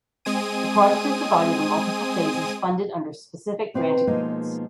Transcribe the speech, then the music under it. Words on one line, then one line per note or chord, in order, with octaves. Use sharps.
The project is divided in multiple phases funded under Specific Grant Agreements.
G#3 C4 G#5 D#6 D#7
B2 C4 B4 F5
B2 F3 G#3 A#3 D#4